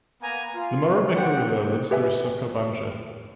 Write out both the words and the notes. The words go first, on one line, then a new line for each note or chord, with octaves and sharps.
The Moravica River runs through Sokobanja.
A#3 B3 G#5 A#5
F4
F#5 G5
G4 B4 E5 G#5